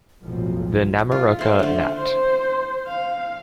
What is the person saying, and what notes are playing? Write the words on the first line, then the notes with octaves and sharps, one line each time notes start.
The Namoroka Nat.
F#1 B1 A2 F3 F#3
F4
A3 C5
D3 A3
C5
F5